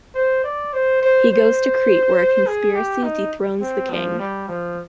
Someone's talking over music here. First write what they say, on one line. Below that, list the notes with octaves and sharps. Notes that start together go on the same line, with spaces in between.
He goes to Crete where a conspiracy dethrones the king.
C5
D5
C5
C5
C5
G#4
G4
D#4
C4
F3
G3
F3